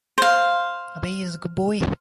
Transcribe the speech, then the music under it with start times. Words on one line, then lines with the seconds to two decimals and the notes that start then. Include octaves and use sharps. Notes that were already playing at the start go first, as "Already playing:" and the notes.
Abhay is a good boy.
0.18 C5 F5